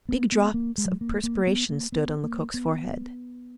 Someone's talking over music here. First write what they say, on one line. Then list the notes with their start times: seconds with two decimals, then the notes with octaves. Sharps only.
Big drops of perspiration stood on Lecoq's forehead.
0.09 B3
0.32 B3
0.54 A#3
0.78 G#3
0.85 F#3
0.92 G#3
1.01 A#3
1.24 A#3
1.47 B3
1.69 A#3
1.92 B3
2.24 A#3
2.54 B3